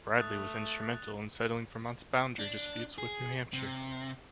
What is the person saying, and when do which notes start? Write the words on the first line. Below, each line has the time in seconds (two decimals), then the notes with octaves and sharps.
Bradley was instrumental in settling Vermont's boundary disputes with New Hampshire.
0.16 A3 D#6 F#6 A6
2.39 D4
2.98 G#4
3.53 C3